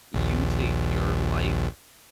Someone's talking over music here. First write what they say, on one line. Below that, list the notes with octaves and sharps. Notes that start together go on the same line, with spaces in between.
you take your life
A#1 D#2